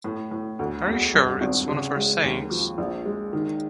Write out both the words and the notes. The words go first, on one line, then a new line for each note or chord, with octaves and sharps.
Are you sure it's one of her sayings?
A2
A2
D2
E1
G2
G#1
C#3
G#3
D#2
F3
A#1
G#3
D#3